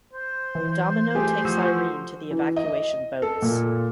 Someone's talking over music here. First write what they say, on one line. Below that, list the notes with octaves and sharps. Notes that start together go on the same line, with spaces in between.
Domino takes Irene to the evacuation boats.
C5
E3
A3 G4 G#4
F3 F#4 E6
E3
D#5
A4
A#2